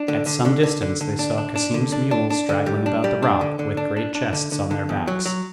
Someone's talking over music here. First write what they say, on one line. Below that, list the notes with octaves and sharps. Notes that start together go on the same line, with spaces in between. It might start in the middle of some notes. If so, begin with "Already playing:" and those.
At some distance they saw Cassim's mules straggling about the rock, with great chests on their backs.
Already playing: D4
D3
D3
D3
D3
D3
D3
D4
D4
D4
D3
D4
D4
D4
D3
G3
D4
G3
D4
D3
D3
D4
D4
D4
D3
D3
D3
E2
F#3
F#3